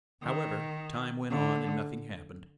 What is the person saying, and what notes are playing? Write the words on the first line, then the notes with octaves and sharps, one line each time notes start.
However, time went on and nothing happened.
D#3
D3